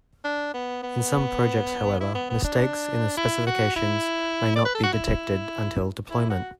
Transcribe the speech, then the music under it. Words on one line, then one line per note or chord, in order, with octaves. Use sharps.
In some projects however, mistakes in the specifications may not be detected until deployment.
D4
B3
B3
E4
B3
B3
D4
E4
F#4
E4
D5
B4
A4
F#4
E4
E4
F#4